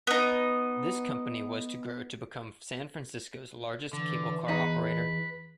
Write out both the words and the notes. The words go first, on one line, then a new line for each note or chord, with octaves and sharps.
This company was to grow to become San Francisco's largest cable car operator.
B3 D#4
D3 E3
E2 D#4 B4